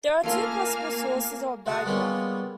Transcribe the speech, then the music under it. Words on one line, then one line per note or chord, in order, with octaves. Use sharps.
There are two possible sources of "bagua".
A3 A#3 C#4 F4 F5 G#5 F6
G#3 F#4 F#5 A5 D#6
G3 G#3 A#3 B3 C#4 F4